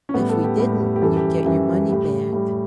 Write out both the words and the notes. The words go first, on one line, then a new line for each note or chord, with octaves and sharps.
"If we didn't you'd get your money back."
C#4
A2 G3 B3
A4
G4
A2 G3 G4
A4
G4
G4
F#2 E3 G3 A4
G4
F#2 E3 G3
A2 G3 G4
A2 G3